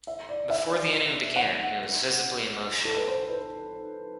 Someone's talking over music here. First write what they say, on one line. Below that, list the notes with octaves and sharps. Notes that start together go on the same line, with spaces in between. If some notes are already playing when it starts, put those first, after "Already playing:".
Before the inning began, he was visibly emotional.
E5
D5
E5
F#5
A4
B4
C5
B4